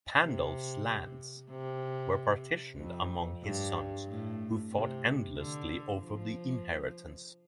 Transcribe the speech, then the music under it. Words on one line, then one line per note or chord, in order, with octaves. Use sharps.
Pandulf's lands were partitioned among his sons, who fought endlessly over the inheritance.
C3
C3
F2
G2
A2
C3
D3
F3